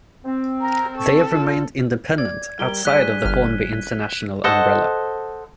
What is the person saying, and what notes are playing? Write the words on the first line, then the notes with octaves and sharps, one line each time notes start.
They have remained independent outside of the Hornby International umbrella.
C4
A#4 A#5
A4 C#6
F4
D5 G#6
G3 G4 A#4 G7
G2 G#4 D5 F#6 B6 D#7
G1 F6
A4 C5 D#5 F#5